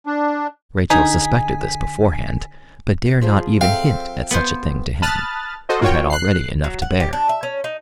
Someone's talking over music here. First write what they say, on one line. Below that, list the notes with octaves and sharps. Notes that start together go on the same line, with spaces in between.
Rachel suspected this beforehand, but dare not even hint at such a thing to him, who had already enough to bear.
D4
D3 D#4 G#4 G#5 B6
F3 G#4 C5 B5
C4 A4 E5 F5 G5
B3 C5
A5 B5 D#6 F6 F#6 A6
F#4 A4 C5 D#5
A#3 F4 F#4 C#5 G5
F#6 C7
F#3
F#5
G4
D4
E5
C#4
D#4